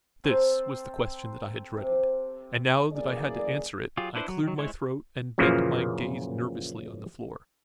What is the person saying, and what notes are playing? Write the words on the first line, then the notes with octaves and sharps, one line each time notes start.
This was the question that I had dreaded, and now that I had to answer it I cleared my throat and bent my gaze nervously on the floor.
C4 A4 C5 A#5
C3
F#2 E3 A#3 G#4 D5
F#3 F4 G4 G#4
D4 E4 B4 C5
F#3
D#3 F#3
G#3 E4 C5 C#5
F#2 A#2 C#3 E3 F3 A#3